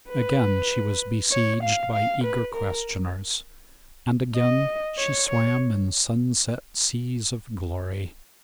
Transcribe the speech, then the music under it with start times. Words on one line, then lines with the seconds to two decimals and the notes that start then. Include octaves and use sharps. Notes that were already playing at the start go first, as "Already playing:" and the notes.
Again she was besieged by eager questioners, and again she swam in sunset seas of glory.
0.10 B4
1.33 C#5
1.63 F5
1.94 F5
2.24 B4
2.55 A#4
4.37 D#5
4.98 C#5
5.29 C#5